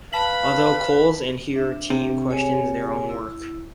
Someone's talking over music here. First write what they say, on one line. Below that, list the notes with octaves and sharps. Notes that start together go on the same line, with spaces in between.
Although Colls and here team question their own work.
B4 F5 A5 B5 B6 F#7
D4 E5
C3
G#4 C#5 G#5
E4